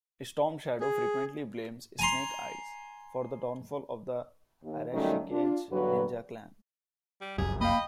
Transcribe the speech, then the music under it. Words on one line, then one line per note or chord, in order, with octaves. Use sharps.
Storm Shadow frequently blames Snake Eyes for the downfall of the Arashikage ninja clan.
G#4
G#5 A#5 C6
D#2
D#2 D#3 F#3 G3 A3 C#4
D4 F4
E2 G2 D3 F#3 F#4 B4
G3
F1 C2 F#2 G4 G#4
A#3 D#5 F5 G5 B5